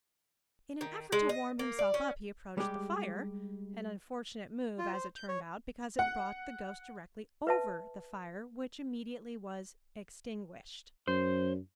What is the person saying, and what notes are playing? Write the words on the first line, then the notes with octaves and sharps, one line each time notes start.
In an effort to warm himself up he approached the fire, an unfortunate move as it turned out, because it brought the ghost directly over the fire, which immediately was extinguished.
D#3
G#3
D#5
A#3
D5
C#4
G3 G#3 G4
F4
C5
G6
C#5
F#5
B4 E5 A5
F#2 C5